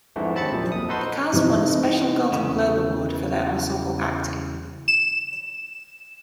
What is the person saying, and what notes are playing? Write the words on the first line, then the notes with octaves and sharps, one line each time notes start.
The cast won a Special Golden Globe Award for their ensemble acting.
F2 G#2 D3 E3 A3
D#2 C4 A5 B5 A6 C#7
A#1 F#2 A#2 F3
F2 D#6
D#4 F#4 A4 B4 C5 C6
C3 E3 C4 D#4
E2 C#3
E7